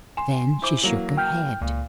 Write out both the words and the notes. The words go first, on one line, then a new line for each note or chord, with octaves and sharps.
Then she shook her head.
G#5 C6 E7
E4 C5 D6
E3 F#3 A#3
G5 F6 G6
C#2 A#2